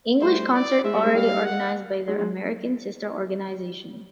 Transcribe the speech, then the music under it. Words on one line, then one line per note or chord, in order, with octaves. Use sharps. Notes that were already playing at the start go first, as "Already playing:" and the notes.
English concert already organised by their American sister organisation.
G3 A3 C5
D5
G#3 E5
G3 A3
G#3
G3 F5
F#5
G#3
G#3